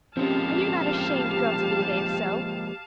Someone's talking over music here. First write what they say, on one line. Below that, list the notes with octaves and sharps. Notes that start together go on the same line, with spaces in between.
Are you not ashamed, girl, to behave so?'
F3 G#3 A#3 C4 C#4 G4 F5 A5